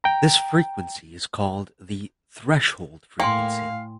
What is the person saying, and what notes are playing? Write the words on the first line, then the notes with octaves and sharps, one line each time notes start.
This frequency is called the "threshold frequency".
G5 A#5
A2 A#3 F5 G5 G#5 C6